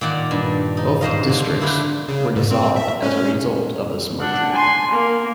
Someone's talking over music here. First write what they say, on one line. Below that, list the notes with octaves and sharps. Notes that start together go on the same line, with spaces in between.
Both districts were dissolved as a result of this merger.
A#2 D#3 D5 F#5
G2
D#4
G#2 C5 D#5 F5
D3
D3 D4 E4 F4
C#3
G#2
C4
E5
C#4
D4 F#5
G#5 C6
A#3